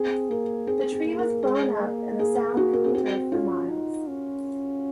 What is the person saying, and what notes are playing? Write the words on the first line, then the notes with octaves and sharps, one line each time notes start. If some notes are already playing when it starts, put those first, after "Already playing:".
The tree was blown up and the sound could be heard for miles.
Already playing: C4 G#4
A#3 A#4
C4 G#4
G#4
A#3
G#4
A#4
G#3 G#4
A#3
G#4
F#4
A#4
G#4
C4 F#4
C#4 F4
D#4
C#4